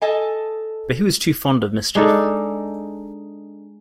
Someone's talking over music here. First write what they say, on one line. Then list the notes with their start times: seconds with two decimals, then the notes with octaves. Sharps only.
But he was too fond of mischief.
0.02 A4 D#5 G#5
1.95 G#3 D4 D#4 A4